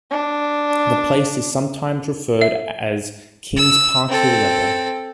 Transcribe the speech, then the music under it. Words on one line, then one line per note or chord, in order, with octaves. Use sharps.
The place is sometimes referred as King's Park Hill Level.
D4
E5
E6
C4 A4